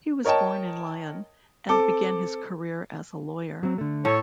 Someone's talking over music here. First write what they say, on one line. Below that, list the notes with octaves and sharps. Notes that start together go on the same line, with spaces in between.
He was born in Lyon, and began his career as a lawyer.
A#4 C#5 D#5 G5 A5
C4 A4 D6
F#3 C4
D3 A3
A2 A4 C#5